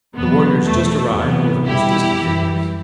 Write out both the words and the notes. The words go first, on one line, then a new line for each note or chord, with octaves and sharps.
The warriors just arrived were the most distant figures.
E2 B2 F#3 B3
E2 B2 F#3 A3
E2 C3 F#3 B3
E2 B2 G3 E4 G4
F#2 E3 G3